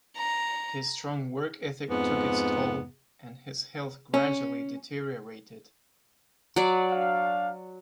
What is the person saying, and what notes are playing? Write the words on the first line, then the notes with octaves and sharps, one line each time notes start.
His strong work ethic took its toll, and his health gradually deteriorated.
A#5
F2 G#2 B3
C#4
F#3 D5
D4 F5